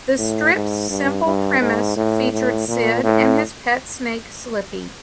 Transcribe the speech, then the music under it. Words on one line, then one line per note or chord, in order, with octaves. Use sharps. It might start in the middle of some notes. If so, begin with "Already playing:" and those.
The strip's simple premise featured Sid and his pet snake Slippy.
A2
G#2
G2
G2
G#2
A2
A2
A#2
A2